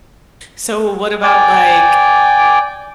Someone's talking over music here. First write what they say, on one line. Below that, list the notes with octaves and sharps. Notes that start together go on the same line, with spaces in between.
So what about, like,
D5 G5 G#5 D6